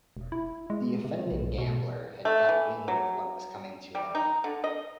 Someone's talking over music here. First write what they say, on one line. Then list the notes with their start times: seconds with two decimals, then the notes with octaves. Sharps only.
The offending gambler had got wind of what was coming to him.
0.17 E1
0.32 E4
0.70 G#3
1.04 C3
1.32 B1
1.58 B2
2.25 A3
2.49 E3
2.88 F#3
3.95 G3
4.15 D#4
4.44 D3
4.64 D#5